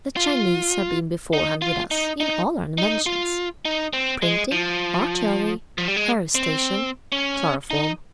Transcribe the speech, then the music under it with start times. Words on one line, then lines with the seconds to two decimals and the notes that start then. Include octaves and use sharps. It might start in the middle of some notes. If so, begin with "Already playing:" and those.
The Chinese have been beforehand with us in all our inventions--printing, artillery, aerostation, chloroform.
0.17 F4
1.33 D#4
1.62 F4
1.91 D#4
2.20 D#4
2.78 D#4
3.06 F4
3.65 D#4
3.93 C4
4.22 G#3
4.51 F3
5.78 F3
5.88 G3
5.97 G#3
6.35 C4
7.12 C#4
7.71 D#4